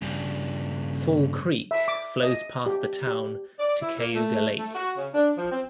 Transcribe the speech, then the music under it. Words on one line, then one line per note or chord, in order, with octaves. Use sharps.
Fall Creek flows past the town to Cayuga Lake.
G2 C#3
E5
D6
D#5
G4
G4
D5
E4
A#3
A3
A3
F#4
C#3
D4
F3
C4